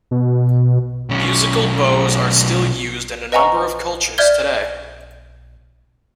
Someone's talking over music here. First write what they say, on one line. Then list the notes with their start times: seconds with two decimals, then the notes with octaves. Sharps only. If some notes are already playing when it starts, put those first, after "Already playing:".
Musical bows are still used in a number of cultures today.
0.11 B2
1.10 B1 C#4
3.32 B4 D#5 F#5 G#5 A#5 C#6
4.18 D5 E5 F6 G6 G#6 G7